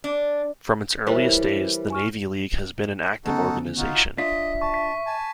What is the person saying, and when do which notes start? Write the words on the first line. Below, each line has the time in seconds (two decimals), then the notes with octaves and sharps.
From its earliest days, the Navy League has been an active organization.
0.04 D4
1.07 E3 G3 A#4 C5 C#5
1.90 G#5 C#6 F6
3.26 D2 C#3 B3 D#4 F#4 A4
3.78 D#4 F4 F#4
4.18 D4 F4 D#5 E5 B6
4.62 A5 C#6
4.74 B6
5.06 G#5 A5